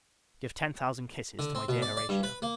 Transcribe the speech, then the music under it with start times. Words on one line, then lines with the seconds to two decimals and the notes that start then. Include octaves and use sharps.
Give ten thousand kisses to my dear Horatia.
1.39 D3
1.55 C4
1.68 B2
1.82 D5
1.97 D5
2.09 G2
2.23 B4
2.42 A#3